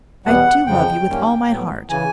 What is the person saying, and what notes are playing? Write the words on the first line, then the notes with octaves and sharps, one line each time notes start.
I do love you with all my heart.'
E2 B2 G3 B3 F#5
F2 C#3 F3 G5
F#2 D#3 G3 A#3 C#4
A2 F#3 B3
C#3 E3 G#5